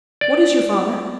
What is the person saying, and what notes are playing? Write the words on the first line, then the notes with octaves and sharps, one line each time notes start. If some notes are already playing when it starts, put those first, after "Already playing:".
'What is your father?'
D5